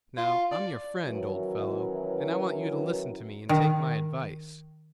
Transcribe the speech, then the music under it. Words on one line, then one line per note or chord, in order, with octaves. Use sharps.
Now, I'm your friend, old fellow, and I want you to listen to me and take my advice.
F4
D5
D#3 E3 F#3 C#4 E4 B4
D#3